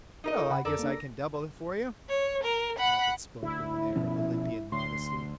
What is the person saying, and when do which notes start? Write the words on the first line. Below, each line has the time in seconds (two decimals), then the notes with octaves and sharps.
"Well, I guess I can double it for you." Moffatt spoke with an air of Olympian modesty.
0.24 D#4 A#4 D#5
0.36 F4 A4
0.50 C#3 F#5 B5
0.65 F2 A4 A#4 D5
0.79 A#3 D4
0.92 A#6
2.09 C#5
2.43 A#4
2.78 F#5 B5
3.43 D2 E4
3.96 B2 F3 C#4
4.72 D2 C6